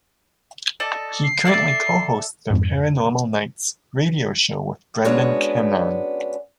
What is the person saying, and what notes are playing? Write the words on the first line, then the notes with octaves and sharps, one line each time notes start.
He currently co-hosts the "Paranormal Nights" radio show with Brendan Keenan.
A4 D5 D#5
C7
A4 D5 E5
F2 G#2
G#3 B3 C#4 D4 F#4